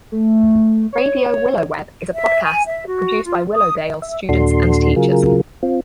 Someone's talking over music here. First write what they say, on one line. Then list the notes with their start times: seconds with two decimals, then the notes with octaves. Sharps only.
Radio WillowWeb is a podcast produced by Willowdale students and teachers.
0.12 A3
0.93 C#5
2.14 E5
2.43 G#5
2.66 E5
2.86 F#4
3.24 F4
3.55 D#6
4.02 E5
4.29 D#2 A#2 D4 F#4 A4 C6
4.96 C#3 F#3 F4 G#4 A#4
5.63 C4 F4